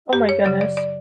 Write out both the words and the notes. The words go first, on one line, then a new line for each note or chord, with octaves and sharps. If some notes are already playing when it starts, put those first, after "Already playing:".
Oh, my goodness.
F#2 G4
C#5
C#3 F#3 D5
D5
D5